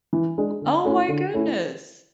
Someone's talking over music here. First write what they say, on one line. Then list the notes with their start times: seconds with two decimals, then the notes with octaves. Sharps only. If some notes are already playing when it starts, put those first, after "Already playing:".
Oh, my goodness.
0.13 E3
0.38 G#3 D4
0.62 D3
0.85 A3 C#4 E4
1.09 D3
1.34 A3 C#4 E4